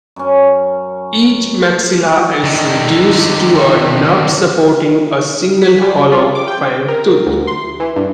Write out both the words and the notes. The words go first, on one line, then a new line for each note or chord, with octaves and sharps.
Each maxilla is reduced to a nub supporting a single hollow fang tooth.
F#2 C#4
D3 D#3
B6
G3
F4
D6
G5
A#4
D2
C6
E3
G2